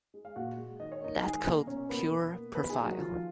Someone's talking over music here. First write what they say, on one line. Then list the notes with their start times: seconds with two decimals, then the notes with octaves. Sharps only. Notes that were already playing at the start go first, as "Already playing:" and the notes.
That cold, pure profile.
0.14 G#3
0.25 F5
0.36 A#2 F#4 F#5
0.57 G#3
0.79 D#3 D#5
0.92 C#5
1.02 A#3 D#4 D#5
1.23 D#3 G#3 G#4
1.45 A#3 A#4
1.67 B2 C#4 C#5
1.89 A#3 B3 B4
2.11 B2
2.33 A#3
2.55 D#3 B3 B4
2.70 G#3 G#4
2.77 A#3
2.84 F#3 F#4
2.99 D#3 F3 F4